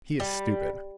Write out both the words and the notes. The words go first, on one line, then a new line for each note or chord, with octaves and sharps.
He is stupid.
G3